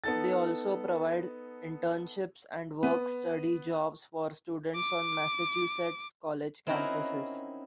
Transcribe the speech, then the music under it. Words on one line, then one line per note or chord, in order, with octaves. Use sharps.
They also provide internships and work study jobs for students on Massachusetts college campuses.
B3 D#4 A4 A6
B3
D6
C4 C#4 D#4 E4 F#4 A#4